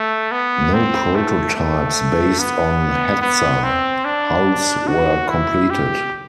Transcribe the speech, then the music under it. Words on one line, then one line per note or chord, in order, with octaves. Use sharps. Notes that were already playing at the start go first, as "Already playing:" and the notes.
No prototypes based on "Hetzer" hulls were completed.
Already playing: A3
B3
C4
A3
A3
B3
B3
C4
D4
F#4
E4
G4